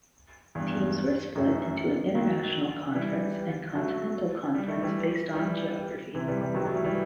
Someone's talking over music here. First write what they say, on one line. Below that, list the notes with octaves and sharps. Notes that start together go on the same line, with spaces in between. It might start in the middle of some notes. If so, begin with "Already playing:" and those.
Teams were split into an 'International Conference' and 'Continental Conference' based on geography.
E2 G2
F#2 A2
D#3 F#3
E3 G3
F#3 A3
G3
A3
E3 G3
E3 G3
C3 E3
E3 G3
E3 G3
D#3 F#3
F#3 A3
E3 G3
E3 G3